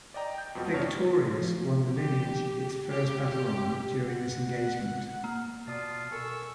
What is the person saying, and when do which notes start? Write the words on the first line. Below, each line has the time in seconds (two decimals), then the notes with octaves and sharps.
"Victorious" won the lineage its first battle honour during this engagement.
0.14 D5 D#5 G5 A#5
0.34 G5 G6
0.55 F2 B2 F3 F#3
0.74 G#1 C3 D4 C#5 A5 F6
1.21 F3
1.92 G4
2.90 G4
3.24 G4
4.07 F#5
5.24 A#3
5.67 B2 F4 D5 A5 D#6
6.11 A4 A#4 G#5 C#6 E6